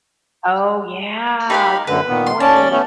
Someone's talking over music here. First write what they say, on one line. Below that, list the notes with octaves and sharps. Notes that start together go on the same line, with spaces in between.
Oh, yeah, good point.
D#4 G4 A#4 F5 B5
F#2 D3 B4
A#2 D#3 B3
C6
D#2 C#4 D5 A5
A3 B3 C#4